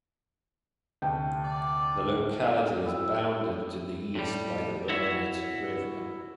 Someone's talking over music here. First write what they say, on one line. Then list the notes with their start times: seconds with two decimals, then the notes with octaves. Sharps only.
The locality is bounded to the east by the Burnett River.
1.02 D2 C3 G5 A5
1.44 D5
2.85 E4 G4 D#6 E6
4.15 A2 G3
4.89 E4 F#4 C#5 E5